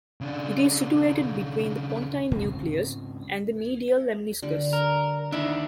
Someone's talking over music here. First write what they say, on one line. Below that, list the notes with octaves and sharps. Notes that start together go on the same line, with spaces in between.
It is situated between the pontine nucleus and the medial lemniscus.
C#3 D4
G#2 C#3 C4
D3 G3
A#4
D#3 D4 E4 E5 B5